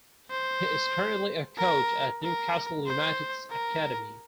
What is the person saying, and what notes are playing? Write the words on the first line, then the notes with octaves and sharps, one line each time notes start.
He is currently a coach at Newcastle United's academy.
C5
A#4
A#4
C5
A#4